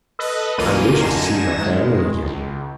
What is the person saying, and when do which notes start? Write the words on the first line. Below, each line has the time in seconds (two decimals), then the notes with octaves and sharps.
"I wished to see my family again."
0.19 A4 B4 D#5
0.58 B1 E2 A#3 C#4 F4 D#7
1.01 F#2 D3 D#4 G#5 A#6 E7
1.61 D#3 G#3
2.23 C#2